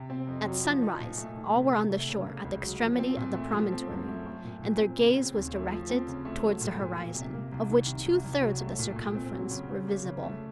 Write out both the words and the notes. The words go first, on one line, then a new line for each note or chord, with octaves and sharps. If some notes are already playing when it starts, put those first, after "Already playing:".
At sunrise all were on the shore at the extremity of the promontory, and their gaze was directed towards the horizon, of which two-thirds of the circumference were visible.
Already playing: C3
C4
F2
F#3
F3
D#4
A#2
A3
D#3
C3
C3
A3
C#3
A#3
C#2
F#3
F3
C4
A#2
A3
F3
C4
F#2
A3
A3
A#2
A#2
C4
C#3
C4
D#2
A3
F3
C4
C#3
A3
F#3
A#2
A#2
A#3
C3
A#3
C2
D#3
C3
C2
C2
F#3
A3
A#2
A#2
C4
F#3
C#3
C#3
A#3
C#3
A3